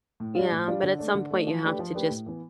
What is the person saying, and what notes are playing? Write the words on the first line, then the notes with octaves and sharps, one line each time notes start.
Yeah, but at some point, you have to just
A2
G3 D4 F4
A2
G3 D4 F4
D3
A3 D4
D3
A3 D4
F3
A3 D4 G4 B4
F3
A3 D4 G4 B4
A2
E3 B3